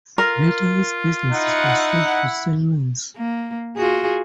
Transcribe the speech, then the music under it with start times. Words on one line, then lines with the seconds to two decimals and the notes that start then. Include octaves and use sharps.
Later this business was sold to Siemens.
0.18 F4 A#4
1.32 D#4 E4 F#5
3.16 A#3
3.76 F4 F#4 G#4